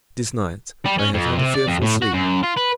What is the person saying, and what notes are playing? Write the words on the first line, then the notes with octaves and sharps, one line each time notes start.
This night I have had a fearful sleep.
G3
C#4
F2
C3
D5
F2
A2
F#4
F#2
F4
B4